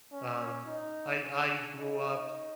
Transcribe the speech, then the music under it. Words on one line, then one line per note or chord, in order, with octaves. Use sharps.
um, I I grew up
C#4
D#4
C#4
D#4